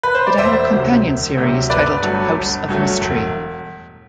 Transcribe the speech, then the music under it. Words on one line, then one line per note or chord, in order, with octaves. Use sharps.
It had a companion series titled "House of Mystery".
B4
C5
D5
E1 C5 E5
D2 C3 F#3
E1
D2 C3 F#3
G1 B4 D5
G2 F#3 A3
G1
G2 F#3 A3
E1